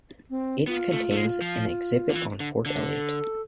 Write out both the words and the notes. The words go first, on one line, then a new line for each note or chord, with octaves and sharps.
Its contains an exhibit on Fort Elliott.
C4
B3 F4
A3
A3
G#3
F3
D3
E3
D3
D3
A4